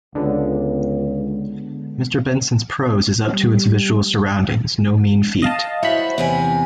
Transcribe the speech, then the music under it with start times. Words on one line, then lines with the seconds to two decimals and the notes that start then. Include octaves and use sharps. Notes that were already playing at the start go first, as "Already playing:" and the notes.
Mr. Benson's prose is up to its visual surroundings, no mean feat.
0.15 C#2 D3 G#3 B3
3.33 G3
5.42 D#5 F5 A5
5.83 E4 F#4 C5 C#5 B5
6.18 E2 C3 G#5